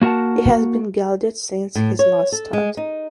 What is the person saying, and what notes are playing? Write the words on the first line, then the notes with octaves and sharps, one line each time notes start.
He has been gelded since his last start.
A#3 F#4 A#4 F#5 A5
A2
C#5
A4
G#3
D#4